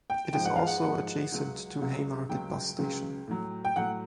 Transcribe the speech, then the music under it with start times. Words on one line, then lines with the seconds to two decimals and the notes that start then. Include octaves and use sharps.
It is also adjacent to Haymarket bus station.
0.10 G5
0.33 G#2 F3 G#3 G5
0.45 F#5
0.56 F5
0.67 F#5
0.83 G#2 F3 G#3 F#5
1.32 C#2 C#3 F#3
1.81 C#2 C#3 F#3
2.29 C#2 C#3 F#3 G5
2.78 C#2 C#3 F#3
3.27 A2 F#3
3.65 G5
3.76 A2 F#3 F#5